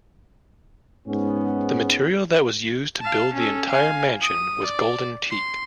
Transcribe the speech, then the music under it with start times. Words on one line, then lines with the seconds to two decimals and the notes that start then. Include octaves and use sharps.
The material that was used to build the entire mansion was golden teak.
1.07 G#2 B3 C#4
3.01 F5 A5
3.34 C#4 A4
3.69 F5 G#5
4.21 D#6
4.62 D5
5.30 C6